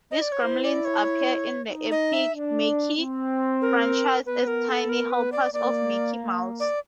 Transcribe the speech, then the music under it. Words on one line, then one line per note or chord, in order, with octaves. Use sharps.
The Gremlins appear in the "Epic Mickey" franchise as tiny helpers of Mickey Mouse.
D#5
D5
C#5
E4 C5
D5
C#5
D#4
D#5
E5
D4
C4
A#4
B3 B4
A#4
A4
A#4
B4
D5
A#3 D5
D5